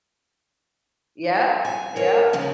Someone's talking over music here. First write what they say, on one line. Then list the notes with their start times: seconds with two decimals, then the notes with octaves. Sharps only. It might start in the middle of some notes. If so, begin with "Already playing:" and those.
yup, yup.
1.65 G#5
1.96 A#4 C#5
2.33 D#2 C#3 F3